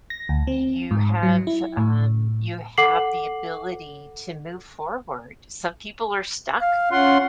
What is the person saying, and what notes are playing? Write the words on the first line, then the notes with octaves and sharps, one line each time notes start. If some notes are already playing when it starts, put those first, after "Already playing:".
You have, um, you have the ability to move forward, some people are stuck,
A#6
D2
C4
G#2
F#3
E4
A2
A4 F#5 D6 C7 F#7
F5
C#4 F4 F#5 C6